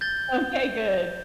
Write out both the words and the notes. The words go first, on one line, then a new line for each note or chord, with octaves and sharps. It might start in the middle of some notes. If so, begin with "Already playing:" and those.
Okay, good.
G6 A6 G7